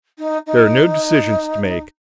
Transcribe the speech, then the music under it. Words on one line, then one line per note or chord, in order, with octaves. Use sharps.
There are no decisions to make.
D#4
D#4